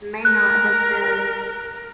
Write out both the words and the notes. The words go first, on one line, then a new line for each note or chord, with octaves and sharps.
may not have been
A#4 F#6